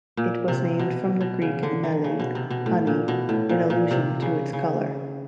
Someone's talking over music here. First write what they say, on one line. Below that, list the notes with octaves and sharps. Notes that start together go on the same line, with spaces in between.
It was named from the Greek "meli" "honey", in allusion to its color.
A#2
C3
B2
B2
C#3
D3
D#3
C#3
B2
C3
B2
A2
A#2
B2
A2
A#2
A#2
C3
C#3
C#3